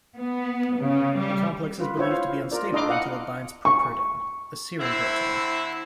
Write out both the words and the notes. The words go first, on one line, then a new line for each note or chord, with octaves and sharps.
The complex is believed to be unstable until it binds properdin, a serum protein.
B3
C#3
G3
F4 B4
E4 F4 C5 C#5
F5
F4 A#4 D5
D4 E4 D#5 A#5 C6 D6
D#5 F5 F#5 D#6
C#6
D3 A3 C4 E4